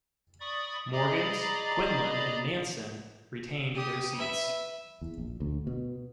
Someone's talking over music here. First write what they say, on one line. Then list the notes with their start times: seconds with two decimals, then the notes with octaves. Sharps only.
Morgans, Quinlan and Nanson retained their seats.
0.40 D5 B5 C#6 D#6
0.92 G#4 D5 D#5 A#5 B5 D6
3.75 G4 D#6
4.15 B4 E5
5.01 E2
5.18 A#1
5.40 D2
5.67 B2